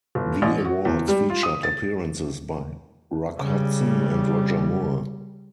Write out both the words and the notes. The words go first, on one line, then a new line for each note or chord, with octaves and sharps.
The awards featured appearances by Rock Hudson and Roger Moore.
G1
A1
F#4
E2
G3
F4
D#6
A6
C#3 G3